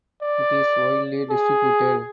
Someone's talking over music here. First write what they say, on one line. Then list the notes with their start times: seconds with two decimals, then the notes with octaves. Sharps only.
It is widely distributed.
0.22 D5
1.30 G#4